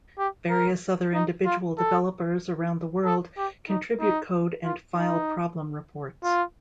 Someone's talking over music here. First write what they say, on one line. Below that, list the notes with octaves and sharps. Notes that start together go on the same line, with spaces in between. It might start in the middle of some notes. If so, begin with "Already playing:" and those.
Various other individual developers around the world contribute code and file problem-reports.
G4
A#4
D#4
F4
A4
A4
G4
D#4
D#4
F4
D#4
F4